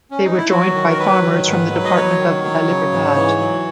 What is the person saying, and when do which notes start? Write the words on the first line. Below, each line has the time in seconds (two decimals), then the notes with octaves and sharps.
They were joined by farmers from the department of La Libertad.
0.11 C#4
0.24 D#4
0.37 E4
0.50 F#3 F#4
0.74 D#3
0.89 A#4
0.98 F#3 B4
1.23 D#3
1.47 G#2
1.71 F#3
1.84 D#5
1.95 F#3 C#5
2.19 D#3
2.44 F#3
2.68 C#3
2.92 G#2
3.16 E3
3.40 F#3